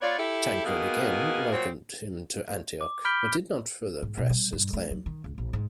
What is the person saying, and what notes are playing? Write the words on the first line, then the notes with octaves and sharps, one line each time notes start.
Tancred again welcomed him to Antioch but did not further press his claim.
B3 F4 C#5 D5
E4 G4 A4 E5
B2 D#3 A#3 B3 G#4
A#2 F3 F#3 C4
D6
B5 F6 G6 B6 D7 G7
G#2
B2
G3
G2
A3
F#3
D#3
C#2
A#1
G#2